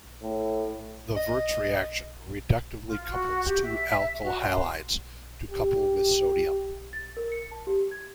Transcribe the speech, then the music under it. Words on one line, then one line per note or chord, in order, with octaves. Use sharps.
The Wurtz reaction reductively couples two alkyl halides to couple with sodium.
A2
D#5
F4
F#4
G4
E5
F#4
C6
G4
A6
A#4
C#7
A5
G4
G#6